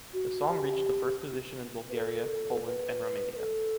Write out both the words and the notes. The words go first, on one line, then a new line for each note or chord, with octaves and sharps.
The song reached the first position in Bulgaria, Poland and Romania.
F#4
G4
B4
A4
B4
B4
A4